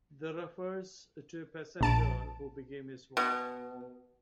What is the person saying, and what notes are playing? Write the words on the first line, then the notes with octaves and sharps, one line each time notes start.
The refers to a peasant girl who became his wife.
A#1 A5 D7
B2